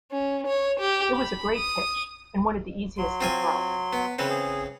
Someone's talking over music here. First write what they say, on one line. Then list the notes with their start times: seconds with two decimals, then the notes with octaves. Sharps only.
It was a great pitch and one of the easiest to throw.
0.11 C#4
0.47 C#5
0.80 G4
1.16 B5
1.56 D#6
2.98 F#3 C6
3.21 C4 F4 G#5
3.93 B3
4.19 C#3 E3 C4 B4
4.30 G#4